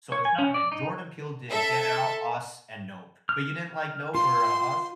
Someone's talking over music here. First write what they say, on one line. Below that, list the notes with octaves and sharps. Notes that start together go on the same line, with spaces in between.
So, it's not him, Jordan Peele did Get Out, Us, and Nope. But you didn't like Nope or U Us?
C#5
G#5
C#4
D5
D#4
A4 E5
F6
F4 C6